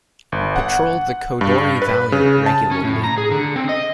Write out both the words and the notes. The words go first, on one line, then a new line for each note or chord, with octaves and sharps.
Patrol the Kodori Valley regularly.
G1
F#5
G2
B4
C#3
A5
C#4
A2
A#5
G#4
D3
C4
D#5